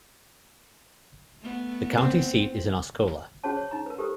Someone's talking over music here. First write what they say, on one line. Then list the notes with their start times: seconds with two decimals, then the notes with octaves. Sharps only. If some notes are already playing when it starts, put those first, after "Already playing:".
The county seat is Osceola.
1.40 A3 B3
1.97 C4
3.44 C#4 F#4 G#4 C5 C#5 A5
3.57 C#5
3.71 D#4 A#5
3.86 A#4 B4
3.98 G4 A4 A#4 C5 D#6